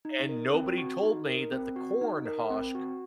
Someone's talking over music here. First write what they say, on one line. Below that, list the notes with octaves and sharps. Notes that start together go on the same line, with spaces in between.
and nobody told me that the corn husk
D#4
A#4
C4
F#4
D#4
A#4
C4
F#4
D#4
A#4
C4
F#4